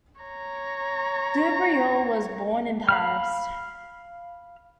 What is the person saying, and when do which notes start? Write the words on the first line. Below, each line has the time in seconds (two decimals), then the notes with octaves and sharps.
Dubreuil was born in Paris.
0.21 C#5 A#5
2.89 F5 B5 F6